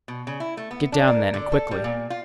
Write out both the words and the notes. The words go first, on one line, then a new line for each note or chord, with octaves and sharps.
"Get down then and quickly."
B2
C#3
E4
A3
B3
D4
A#4
D3
A4
G3
A#2
F4